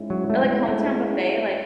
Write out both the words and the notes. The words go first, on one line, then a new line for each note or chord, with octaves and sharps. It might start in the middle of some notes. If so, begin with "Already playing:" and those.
Or, like, Hometown Buffet, like
Already playing: G#2 G#3 C#4 E4
F#3
A3
B3
A3